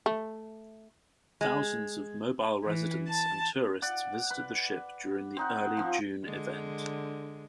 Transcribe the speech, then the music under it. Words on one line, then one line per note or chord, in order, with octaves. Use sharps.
Thousands of Mobile residents and tourists visited the ship during the early June event.
A3
G#3
E3
A5
D5 F#5
B4
C4 D#4 F#5
F3 C4
D3 G#3